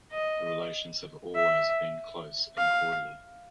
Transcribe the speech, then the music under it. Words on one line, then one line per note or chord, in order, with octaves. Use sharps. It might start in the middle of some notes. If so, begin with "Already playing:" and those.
The relations have always been close and cordial.
D#5
E5
F5